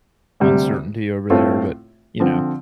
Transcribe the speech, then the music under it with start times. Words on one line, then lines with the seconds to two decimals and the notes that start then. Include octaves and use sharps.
uncertainty over there, but, you know,
0.40 D2 C3 G3
1.30 A2 A3 C4 F4
2.20 D3 F3 C4